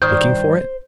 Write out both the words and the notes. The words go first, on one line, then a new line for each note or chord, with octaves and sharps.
"Looking for it?"
G2 D#3 F4 C5 D5 G6